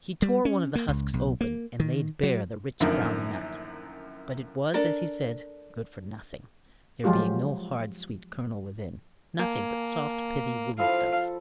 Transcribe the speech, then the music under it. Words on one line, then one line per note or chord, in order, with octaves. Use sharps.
He tore one of the husks open, and laid bare the rich brown nut; but it was, as he said, good for nothing, there being no hard sweet kernel within, nothing but soft pithy woolly stuff.
G3
C#4
A#3
C#2
B1
A#3
D#3
F#3
F#2 A2 D3 D#3 F3 A#3
D4 A4 A#4
F3 F#3 G#3 F4 G4
A#3 G#5 A5
F3 E4 A4 F5